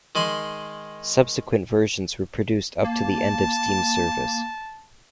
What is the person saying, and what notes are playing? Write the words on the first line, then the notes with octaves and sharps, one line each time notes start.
Subsequent versions were produced up to the end of steam service.
D#3 G#3 B5 C6
A#3 A5